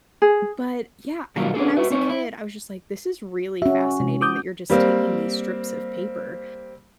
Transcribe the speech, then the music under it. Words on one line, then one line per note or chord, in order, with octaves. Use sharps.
but yeah, and when I was a kid, I was just like, "This is really fascinating that you're just taking these strips of paper."
G#4
B1 D#3 F#3 G3 F4 F5
B3 D4 G#4 A4
F#4 B4 E5
C4 D#4 C#5
E4
C#4 F#4 E5
C3 G#3
D6 D#6 G6
G3 A#3 C4